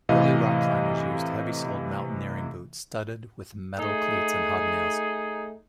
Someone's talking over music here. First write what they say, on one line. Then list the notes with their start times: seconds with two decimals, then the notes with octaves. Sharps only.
Early rock climbers used heavy-soled mountaineering boots studded with metal cleats and hobnails.
0.09 A2 C3 E3 D#5 F5
3.79 A3 D#4 G#4